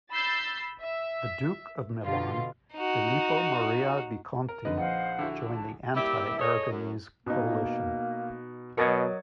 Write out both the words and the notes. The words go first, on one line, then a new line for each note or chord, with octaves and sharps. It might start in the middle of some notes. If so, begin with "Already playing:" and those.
The Duke of Milan, Filippo Maria Visconti, joined the anti-Aragonese coalition.
B5 E6 G6 A6 C7
E5
B2 D3 F4
D#4 F#4
A#4
F2 D3 D#4 B4 D#5
A#1 C5 F5 F#5
D3 E4 F#4
A5
G3 A#3 E4 G4 E5
G#4 A4 C#5 D#5
F#2
B2 A#3 D#4
B2 F#3 A#4 D#5 G#6 A6 C#7